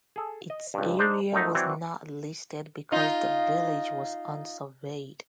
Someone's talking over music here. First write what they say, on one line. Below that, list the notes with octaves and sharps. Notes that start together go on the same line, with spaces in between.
Its area was not listed because the village was unsurveyed.
G#4 A4
D#5
C#2 G2
D4 D#4 C5
F#2 A3 D#4
E3 F#3 C4 F#4 C#5 D5
D#4 F4